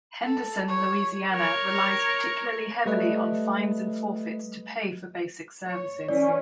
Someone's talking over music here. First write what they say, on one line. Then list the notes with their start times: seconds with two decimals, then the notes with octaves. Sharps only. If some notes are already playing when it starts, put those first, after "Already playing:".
Henderson, Louisiana relies particularly heavily on fines and forfeits to pay for basic services.
0.24 A4
0.68 C#5
1.32 A#4 C#5
2.86 G3 A3 B4 D#5
5.66 C#5
6.08 E3 C#4 D5